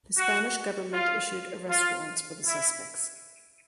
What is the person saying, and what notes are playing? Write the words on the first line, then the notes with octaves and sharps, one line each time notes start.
The Spanish government issued arrest warrants for the suspects.
F#4
F4
F4
E4